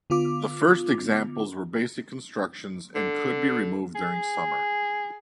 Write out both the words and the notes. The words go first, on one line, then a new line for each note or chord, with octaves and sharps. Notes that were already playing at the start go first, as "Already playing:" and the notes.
The first examples were basic constructions and could be removed during summer.
D3 B3 F4 D6
D3
G#4